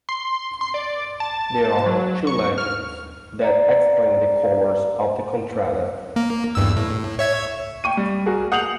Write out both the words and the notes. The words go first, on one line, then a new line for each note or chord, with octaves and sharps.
There are two legends that explain the colors of the contrada.
C6
C6
D5
A5
F#3
C#6
F6
D5 A#5
A#3
E2 G2 E6
A2
C#5 E5 G#6
G5 C#6 D#7
G3
F#4 G#4 A#4
F#5 D#6 G6 C7 F7 F#7